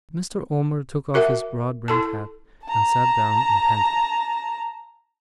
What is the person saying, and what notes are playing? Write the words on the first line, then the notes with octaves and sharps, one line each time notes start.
Mr. Omer took off his broad-brimmed hat, and sat down and panted.
F#4 A#4 E5 F#5
E4 A4 A5
A5 A#5